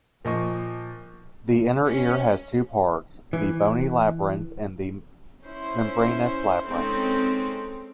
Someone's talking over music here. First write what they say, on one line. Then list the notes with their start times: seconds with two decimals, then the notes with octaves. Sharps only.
The inner ear has two parts: the bony labyrinth and the membranous labyrinth.
0.25 A#2 F3 D#5 C#6
1.87 C#4
3.33 E3
5.43 C#4 E4 C5
6.69 G#3 C4 C#4 D#4 A4